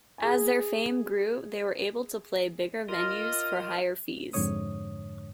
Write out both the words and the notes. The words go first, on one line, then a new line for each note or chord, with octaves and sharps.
As their fame grew they were able to play bigger venues for higher fees.
G#4 G#5
F4 A#4 D#5
F2 G#2 D3 C#5 D#6